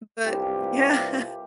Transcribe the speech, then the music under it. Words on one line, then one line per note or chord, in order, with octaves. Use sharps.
but Yeah.
C2 G2 F4 G4